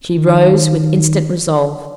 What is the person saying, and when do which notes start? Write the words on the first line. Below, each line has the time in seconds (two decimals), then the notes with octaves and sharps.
She rose with instant resolve.
0.18 D#3